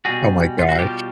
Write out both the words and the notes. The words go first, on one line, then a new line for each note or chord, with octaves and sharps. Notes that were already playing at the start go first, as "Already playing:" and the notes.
Oh my gosh.
B2 G3 F#4 G#4
F4
F#4
B2 G3 F4 G4